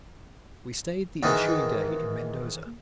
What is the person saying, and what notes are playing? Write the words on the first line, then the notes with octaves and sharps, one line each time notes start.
We stayed the ensuing day in Mendoza.
G#2 D#3 E3